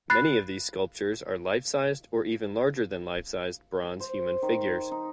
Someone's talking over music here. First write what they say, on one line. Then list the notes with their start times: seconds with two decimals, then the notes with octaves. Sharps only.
Many of these sculptures are life-sized or even larger than life-sized bronze human figures.
0.10 B5 F#6 A6 C7
4.00 C5
4.42 D#3
4.91 D#4